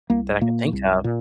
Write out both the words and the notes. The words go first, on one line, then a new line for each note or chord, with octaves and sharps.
that I can think of.
C2 A#3
A#2 A#3
C2
A#2